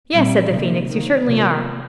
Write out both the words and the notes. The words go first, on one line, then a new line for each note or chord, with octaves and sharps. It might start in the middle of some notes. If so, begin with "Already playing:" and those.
'Yes,' said the Phoenix, 'you certainly are.
A#2 G3 C4
C3 D#3 A#3
D#3 A#3
C3 F3 A#3